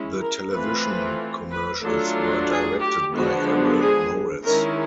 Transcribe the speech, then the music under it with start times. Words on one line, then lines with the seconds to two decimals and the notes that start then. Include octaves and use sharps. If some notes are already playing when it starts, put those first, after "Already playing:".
The television commercials were directed by Errol Morris.
Already playing: G#3 C#4 E4
0.20 A#4
0.52 E3 A3 C4 F4 B4
1.51 B4
1.83 F#3 A3 D4 F4 A4
2.49 G#4
2.81 G4
3.14 D3 F3 G#3 B3 D4 F#4
3.79 G#4
4.44 D#3 G#3 C#4 E4 A#4